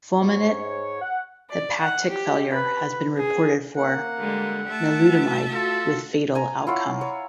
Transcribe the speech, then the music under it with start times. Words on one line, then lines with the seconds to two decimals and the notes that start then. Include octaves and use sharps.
Fulminant hepatic failure has been reported for nilutamide, with fatal outcome.
0.21 G#2 C#5
1.02 F#5
1.50 D5
1.80 F#5
2.10 G4
2.53 B4
3.18 G#4
3.77 A#3 F#5
4.15 D3 G3 G#3
4.67 A3 E5 A5
5.11 B3 F#4
5.53 F4 A4
6.35 G#5 A#5
6.67 E4 F4 C#5 F#5
7.01 C#5